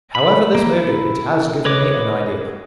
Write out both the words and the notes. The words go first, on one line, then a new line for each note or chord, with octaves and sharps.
However this may be, it has given me an idea.
B5
A#3
E4
B4 C#5 D#5 D6